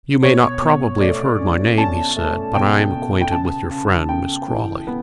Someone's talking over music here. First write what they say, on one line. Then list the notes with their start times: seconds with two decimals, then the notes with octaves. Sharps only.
"You may not probably have heard my name," he said, "but I am acquainted with your friend, Miss Crawley."
0.23 B2 C#5
0.62 B2
1.00 A3 D5
1.39 C#4
1.78 C#4 A5
2.16 A3
2.55 B2 G5
2.93 B2
3.21 G5
3.32 C#3 A5
3.71 C#3
4.09 C#3 G5
4.48 E3
4.87 B3